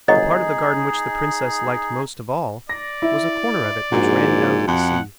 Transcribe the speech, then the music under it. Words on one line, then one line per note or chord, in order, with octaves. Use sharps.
The part of the garden which the princess liked most of all was a corner of it which ran down to the sea.
G1 F#3 D#4 G#4 D#5 F#5
D5 A#6
E4
A#1 G#2 F#4
F2 F#5